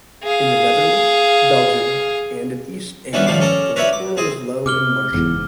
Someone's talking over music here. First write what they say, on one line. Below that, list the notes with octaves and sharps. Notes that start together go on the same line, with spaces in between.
In the Netherlands, Belgium and in East Anglia the littoral is low and marshy.
G#4 F5
D#3 E3 G3 B3 C#4 D4
A2 D#3 F3 G3 C6 D6
C#4 A4 A#4 D5
A#4 B4 C#5 D5 E5 B5
D6
C4 G#4 D#5
C3 D6 F6 G7
F#1 E2 G#2